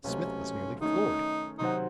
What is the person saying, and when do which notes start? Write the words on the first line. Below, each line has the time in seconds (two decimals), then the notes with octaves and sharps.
Smith was nearly floored.
0.04 C#2 C3 F#3 A3 C#4
0.81 D#3 A3 C#4 D#4
1.59 C3 D#3 F#3 C4 D#4 F#4